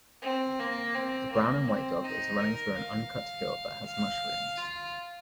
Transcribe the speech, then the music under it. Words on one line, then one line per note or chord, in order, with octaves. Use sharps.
A brown and white dog is running through an uncut field that has mushrooms.
C4
A#3
C4
A#3
C4
D#4
A#4
F5
F5
F4